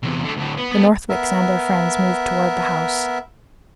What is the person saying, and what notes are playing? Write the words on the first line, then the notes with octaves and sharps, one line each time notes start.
The Northwicks and their friends moved toward the house.
E2 C3
D3 A3
D2 A2
B3
A3 B3
B3 A#4 E5